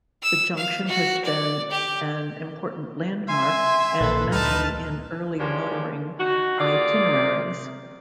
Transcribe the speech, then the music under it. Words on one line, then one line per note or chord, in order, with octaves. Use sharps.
The junction has been an important landmark and mentioned in early motoring itineraries.
E6
F5
F#4
D5
G4
E5 G#5 C6
A#1 A4 B4
D2 D#4 B4 A5 F6
F3 G#3 A#3 C#4 D4 G4
D#4 F#4
A#3 F4 G4 G#4 D5